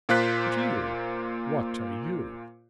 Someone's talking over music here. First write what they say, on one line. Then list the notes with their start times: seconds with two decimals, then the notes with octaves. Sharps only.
But you--what are you.'
0.09 A#2 A#3 F4 C5 F#6 B6